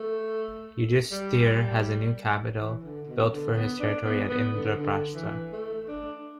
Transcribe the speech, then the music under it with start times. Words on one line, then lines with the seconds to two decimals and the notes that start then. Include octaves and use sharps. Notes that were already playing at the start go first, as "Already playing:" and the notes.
Yudhishthira has a new capital built for this territory at Indraprastha.
Already playing: A3
1.11 G3
2.58 E3
2.83 D3
3.07 B2
3.32 D3
3.56 B3
3.80 D4
4.05 B3
4.29 B3
4.54 D3
4.78 D3
5.15 E3
5.52 A3
5.88 D4